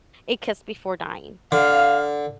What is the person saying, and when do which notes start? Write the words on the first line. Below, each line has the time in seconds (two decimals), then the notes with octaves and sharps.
A Kiss Before Dying,
1.52 D3 F5